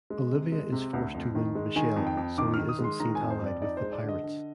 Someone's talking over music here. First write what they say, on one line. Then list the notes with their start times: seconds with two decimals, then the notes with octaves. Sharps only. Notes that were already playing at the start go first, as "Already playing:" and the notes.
Olivia is forced to wound Michel so he isn't seen allied with the pirates.
0.10 G#3
0.32 C3
0.52 G#3
0.72 C3
0.93 D2
1.14 F2
1.35 D#3
1.55 G#3
1.76 D#3 G#5
1.96 F2
2.07 G5
2.17 F2
2.38 D#3 D6
2.54 D#3 F6
2.69 D#6
2.79 G#3
2.84 C6
3.00 D#3 A#5
3.15 G#5
3.20 F2
3.30 C5
3.41 F2
3.46 D5
3.62 D#4 D5
3.77 C5
3.82 G#3
3.92 D5
4.03 D3
4.09 D#5
4.23 D3